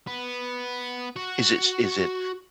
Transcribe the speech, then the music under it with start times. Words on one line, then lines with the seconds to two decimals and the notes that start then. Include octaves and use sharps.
Is it s is it,
0.07 B3
1.16 F#4